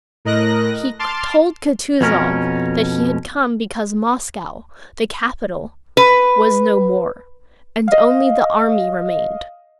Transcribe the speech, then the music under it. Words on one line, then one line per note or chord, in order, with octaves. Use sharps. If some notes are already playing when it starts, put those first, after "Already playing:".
He told Kutuzov that he had come because Moscow, the capital, was no more and only the army remained.
A2 A#4 D#5 F#6 A#6
A5 C6 D6 F6 A6
F2 B2 C#4 A#4
B4
D#5 F5